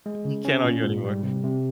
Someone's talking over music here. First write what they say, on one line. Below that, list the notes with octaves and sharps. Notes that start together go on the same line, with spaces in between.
You can't argue anymore."
G#3
C#3
C#4
A#2
G#2
G3
C3
C3